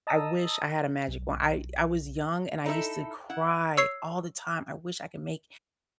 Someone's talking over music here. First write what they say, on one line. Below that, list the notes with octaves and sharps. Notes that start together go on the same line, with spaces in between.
I wish I had a magic wand. I I was young, and I used to cry all the time, "I wish I could make
D#5 A5 A#5 D#6 E6
B1
D#4 E4 A4 B4 E5
E4 F#5
C#5 E6 C7